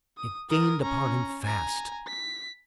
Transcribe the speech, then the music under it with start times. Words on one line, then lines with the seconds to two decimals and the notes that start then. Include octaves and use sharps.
It gained upon him fast.
0.18 D#6
0.50 A#4 D#6
0.82 C#4 A#5
1.42 G#5 A#5
2.07 B6